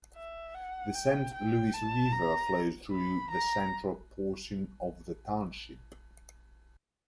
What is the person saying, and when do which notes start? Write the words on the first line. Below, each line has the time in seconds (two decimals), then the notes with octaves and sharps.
The Saint Louis River flows through the central portion of the township.
0.16 E5
0.54 F#5
0.94 G5
1.34 G5
1.74 A5
2.13 A#5
2.92 B5
3.31 A#5